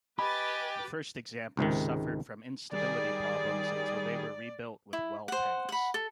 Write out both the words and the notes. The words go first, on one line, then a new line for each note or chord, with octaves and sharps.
The first examples suffered from instability problems until they were rebuilt with well-tanks.
G4 B4 D#5 G#5 B5 D6 A6
C#2 G#2 C3 D#3
D#3 G3 G#4 D5
E4
C5 F#5
F#5 B5
A4